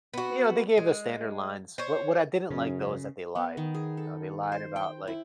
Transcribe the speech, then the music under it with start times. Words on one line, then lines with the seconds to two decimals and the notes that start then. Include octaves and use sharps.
You know, they gave the standard lines, what what I didn't like, though, is that they lied, you know? They lied about, like
0.14 B3 F#4
0.78 G#3
1.78 C5 C#5
2.50 F#2 C#3
3.35 B3
3.57 D#3
3.75 G#4
3.97 A4
4.52 C5
4.76 G5
5.07 E4